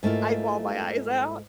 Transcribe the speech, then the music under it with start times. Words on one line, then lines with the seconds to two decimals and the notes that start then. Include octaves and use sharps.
I bawl my eyes out.
0.03 G#2 A3 A#3 E4 F4